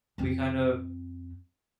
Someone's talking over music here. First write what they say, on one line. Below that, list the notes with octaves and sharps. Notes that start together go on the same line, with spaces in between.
we kind of
F2 C4